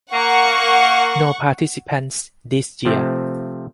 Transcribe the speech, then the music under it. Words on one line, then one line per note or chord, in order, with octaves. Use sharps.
No participants this year.
A#3 F#5 C#6
C3 F3 A3 C4